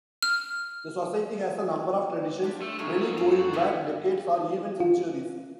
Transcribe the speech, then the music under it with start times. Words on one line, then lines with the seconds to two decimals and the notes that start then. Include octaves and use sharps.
The Society has a number of traditions, many going back decades or even centuries.
0.23 F6
2.44 D4 F4 G4
2.62 A3
2.79 A#2 F#3 A3 D#4 C#5
3.17 F#2 C4 C#4 C5 A#5
3.39 F#4
3.53 E2 G#2 D3 B3
4.80 F4